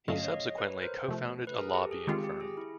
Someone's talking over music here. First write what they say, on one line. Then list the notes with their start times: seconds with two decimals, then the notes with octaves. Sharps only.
He subsequently co-founded a lobbying firm.
0.08 G2 D3 F#3 A3 C#4 D#5 F5
0.24 C#5 D#5
0.58 B4 C#5
0.82 A#4 C5
1.08 C3 F3 A3
1.47 B4
1.58 G#4 A#4
1.74 G4 A4
1.91 G#4
2.07 D#3 G#3 C4 F4 G4
2.24 G4
2.41 G#4
2.57 E4